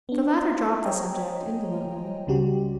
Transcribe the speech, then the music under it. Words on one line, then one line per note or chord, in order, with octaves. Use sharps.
The latter dropped the subject indolently.
B3 D4
C5 C#5 D#5 G5 G#5 A#5
C#2 C#3 G3 F#4 G4